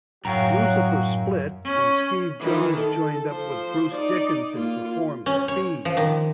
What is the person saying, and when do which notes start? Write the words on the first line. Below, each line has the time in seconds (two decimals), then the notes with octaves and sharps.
Lucifer split and Steve Jones joined up with Bruce Dickinson to form Speed.
0.25 F#2 A2 F#3 F#4 F5 G5 A#5
1.65 C#4
2.40 D#3 E3
2.78 A4
3.28 F3 C5
3.94 D#4 D5
4.53 A#3 F4
5.26 C#4
5.48 C#5
5.85 F3
5.97 D#3